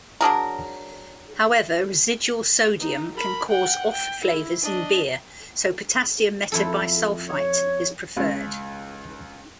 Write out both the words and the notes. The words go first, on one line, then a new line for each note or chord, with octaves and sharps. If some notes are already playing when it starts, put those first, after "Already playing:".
However, residual sodium can cause off flavors in beer so potassium metabisulfite is preferred.
F#3 D4 G#4 A#4
D#4
A#4 B5
F#5 G5
G5
E4
D4 D#5
F2 E4 A4
C#5
C#2